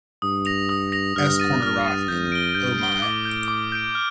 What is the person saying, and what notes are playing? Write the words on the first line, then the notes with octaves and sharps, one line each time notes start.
"S-Corner Rock", and "Oh My".
G2 D#6
A#6 F7
D#6
A#6 F7
G2 F6
A6 D#7
G2 F6
A6 D#7
F2 G6
D7 G7
G2 G6
D7 G7
A2 D6
G6 D7
D6
G6 D7
F6